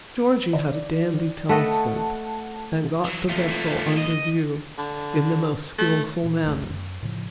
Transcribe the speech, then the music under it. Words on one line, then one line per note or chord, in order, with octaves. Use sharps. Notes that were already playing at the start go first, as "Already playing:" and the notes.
Georgy had a dandy telescope and got the vessel under view in the most skilful manner.
D5
A3 B4 D#5 F#5 A5
E3 F#3
D#2 A3 F4
A2 A#3
D#5
D3
A3
A#2 E3
F#1 C2 A#2 A3
F#2
A2 C#3 E3 F3